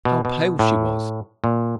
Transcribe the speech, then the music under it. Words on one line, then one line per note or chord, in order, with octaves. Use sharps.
How pale she was!
B2
B2
A2
A#2